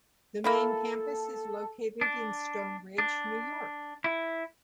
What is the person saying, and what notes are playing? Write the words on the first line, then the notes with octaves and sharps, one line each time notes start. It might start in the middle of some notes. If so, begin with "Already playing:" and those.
The main campus is located in Stone Ridge, New York.
A#3 E4 F4 A4
D4
D4
E4